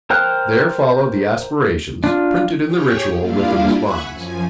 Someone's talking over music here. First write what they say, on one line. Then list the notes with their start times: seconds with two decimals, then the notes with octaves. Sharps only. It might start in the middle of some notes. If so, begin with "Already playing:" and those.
There follow the Aspirations printed in the ritual with the responds.
0.10 A#4 C5 G5 F6 F#6
2.04 D4 F4
2.64 G4 G#4 C#5 G5
3.17 G3 A#3 D4 E4 F4 F5
3.79 E5 F#5 G#5 B5 C#6 F#6
4.11 F#2 F3 G#5